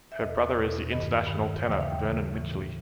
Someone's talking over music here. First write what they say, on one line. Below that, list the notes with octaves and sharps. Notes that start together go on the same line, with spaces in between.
Her brother is the international tenor Vernon Midgley.
E5
E2 B2 D#5
E2 B2
G2 D#3 D#5
G2 D#3
D#2 C#3 E3
E5
F5
G5
D#2 C#3 E3
A2 E3